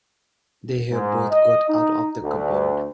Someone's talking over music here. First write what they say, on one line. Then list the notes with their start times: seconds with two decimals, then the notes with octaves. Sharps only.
They have both got out of the cupboard!
0.91 G#2
1.31 D#5
1.69 D#4
2.21 D2